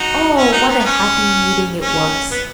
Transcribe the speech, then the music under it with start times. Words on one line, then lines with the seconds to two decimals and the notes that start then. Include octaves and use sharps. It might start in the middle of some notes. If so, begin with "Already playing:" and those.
Oh, what a happy meeting it was!
Already playing: D#4 F#4
0.36 C#4 E4
0.52 D#4 F#4
0.69 B3 D#4
0.80 B3
0.85 C#4
1.82 C#4
2.31 B3